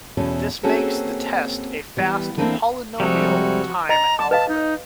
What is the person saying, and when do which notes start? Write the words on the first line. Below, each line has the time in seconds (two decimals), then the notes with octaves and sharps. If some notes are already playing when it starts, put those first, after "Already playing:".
This makes the test a fast polynomial-time algorithm.
0.17 E2 B2 C#4 A4
0.63 A#3 C4 C#4 F#4 G#4 A4
1.97 E3 G3 B3
2.37 E3 A3 A#3 C4 D4 E4
3.00 C3 F3 G3 G#3 F#4 A4
3.89 D#5 A#5
4.19 A5 D6
4.31 B4 D#5 F5 A5
4.49 D#4